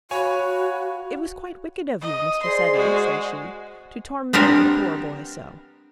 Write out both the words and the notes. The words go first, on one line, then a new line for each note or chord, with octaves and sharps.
"It was quite wicked of you, Mr. Sedley," said she, "to torment the poor boy so."
F#4 C#5 F5 G#5 B5 C#6
D#5
G#4 C5 D5 C6
G#3 F#4
B3 C4 D4 G4 A#4